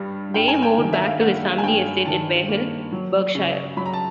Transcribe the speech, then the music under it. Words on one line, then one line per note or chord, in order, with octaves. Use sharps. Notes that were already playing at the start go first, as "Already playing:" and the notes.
Day moved back to his family estate at Barehill, Berkshire.
Already playing: G2 G3
G2 G5
G#5
G5
D#3
E5
F5
A#3 F#5
G#5
G2 G5
D#3 A5
A#3
F#3
C#3
F#3 B5
A#5
A5